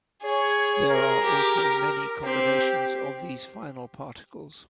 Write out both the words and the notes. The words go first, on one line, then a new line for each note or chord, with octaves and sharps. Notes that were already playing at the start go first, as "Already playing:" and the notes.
There are also many combinations of these final particles.
G#4 C#5
A#4
G4
C4 G4